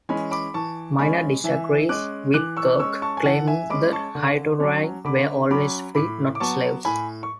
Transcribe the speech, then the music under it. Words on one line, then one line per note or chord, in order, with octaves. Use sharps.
Miner disagrees with Kurke, claiming that hetairai were always free, not slaves.
E3 G#3 C#4 G#5 B5
B5 D6
E3 A5 C#6
G#3 C#4 G#5 B5
E3 E5 G#5
G#3 C#4 D6 F#6
E3 D6 F#6
C#6 E6
G#3 C#4 C#6 E6
A5 C#6
G#5
E3 F#5 A5
E5 G#5
G#3 C#4 B5 D6
A5 C#6
D3
F#3 C#4
D3 B5 D6
F#3 C#4 B5 D6
A2 B5 D6
D6
F#3 B3 A5 C#6
A2 G#5 B5
C#6